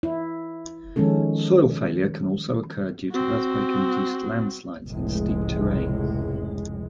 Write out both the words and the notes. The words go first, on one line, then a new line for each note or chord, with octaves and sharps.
Soil failure can also occur due to earthquake-induced landslides in steep terrain.
E4
D#3 F3 G#3 C#4 A4
C4 F#4
F1 C#2 A2 G#3